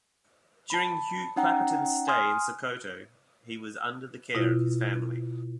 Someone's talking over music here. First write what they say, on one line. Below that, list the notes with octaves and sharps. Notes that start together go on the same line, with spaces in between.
During Hugh Clapperton's stay in Sokoto, he was under the care of his family.
A5 B5
C#4 D#4 F#5 G5 A#5
G#5 C6 D#6 F6
B2 E4 F4